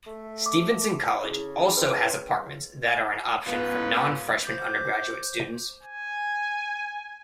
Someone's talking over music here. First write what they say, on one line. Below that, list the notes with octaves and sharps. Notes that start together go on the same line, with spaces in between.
Stevenson College also has apartments that are an option for non-freshman undergraduate students.
A3
D6
C#3 E4
B4 G5 C6
C#2 G#2 B3 C#4 B4
C5 D6 G6
G#5